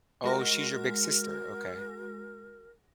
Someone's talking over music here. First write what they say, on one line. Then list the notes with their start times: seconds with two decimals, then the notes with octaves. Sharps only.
Oh, she's your big sister, okay.
0.24 G#3 F#4 A#4 A#6